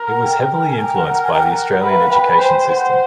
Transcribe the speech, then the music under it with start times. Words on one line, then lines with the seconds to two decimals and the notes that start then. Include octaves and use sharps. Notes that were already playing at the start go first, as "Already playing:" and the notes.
It was heavily influenced by the Australian education system.
Already playing: A#4
0.08 F#5
0.23 G5
0.37 A#4 G5
0.66 A#4 G#5
0.81 G5
0.95 F#5
1.24 G#5
1.33 G5
1.43 F#5
1.82 B4
1.89 E5
1.96 F5
2.03 F#5
2.10 B4 G5
2.24 G#5
2.39 C5 G5
2.68 C5 F#5